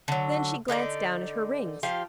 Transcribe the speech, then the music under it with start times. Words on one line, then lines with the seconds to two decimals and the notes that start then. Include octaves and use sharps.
Then she glanced down at her rings.
0.08 D3 F#3
0.68 D3 D#4 A4 D5
1.83 F3 G4 F5